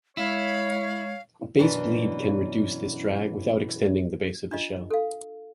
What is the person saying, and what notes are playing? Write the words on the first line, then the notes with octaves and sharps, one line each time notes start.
Base bleed can reduce this drag without extending the base of the shell.
G#3 E4 C#5 F5
F#2 B2 E3 C#4 D4
D4 F4 D#5
A4 F5